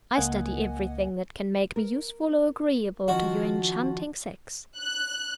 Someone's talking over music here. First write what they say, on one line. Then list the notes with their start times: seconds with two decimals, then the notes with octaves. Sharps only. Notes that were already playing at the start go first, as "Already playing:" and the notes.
I study everything that can make me useful or agreeable to your enchanting sex.
0.15 C#2 A#3 D#5 F#5 G#5
1.76 A#4
3.08 D#3 F3 C#4 F#4
4.79 F#6